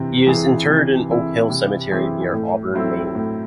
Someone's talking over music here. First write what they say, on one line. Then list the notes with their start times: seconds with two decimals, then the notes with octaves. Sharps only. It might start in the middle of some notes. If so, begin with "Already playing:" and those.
He is interred in Oak Hill Cemetery, near Auburn, Maine.
Already playing: C3 E3 C4
0.27 E3 C4 E4 G#4
0.68 C3
1.09 E3 C4 E4 G#4
1.50 C3
1.92 E3 C4 E4 G#4
2.33 A2
2.74 F#3 A3 C4 E4
3.15 A2